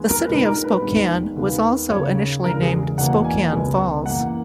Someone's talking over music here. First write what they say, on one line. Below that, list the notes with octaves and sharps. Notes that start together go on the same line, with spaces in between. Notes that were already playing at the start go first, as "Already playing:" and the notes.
The city of Spokane was also initially named "Spokane Falls".
Already playing: D#2 D#3 G#3 B3
A#4
A#1 G#2 D#3 G#3 B4
A#4
B4
E1 D#2 D#3 G#3 B3
D#2 D#3 G#3 B3
D#2 C#3 F#3 C#5
E1 E2 C#3 A#4
G#4
E1 E2 B2 F#3 A#3 F#5
G#5
C#2 B2 G#3 B3
F#2 E3 A#3 F#5